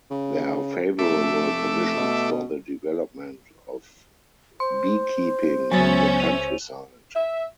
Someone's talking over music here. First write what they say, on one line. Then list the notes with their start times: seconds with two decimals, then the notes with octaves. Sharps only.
There are favorable conditions for the development of beekeeping in the countryside.
0.11 C#3
0.99 F1 A3 E5 D6
1.97 B2
4.60 C5 C6
5.71 C#2 F#3 B3 C#4 E5 G#5 A6
6.20 D#7 F7
7.16 E5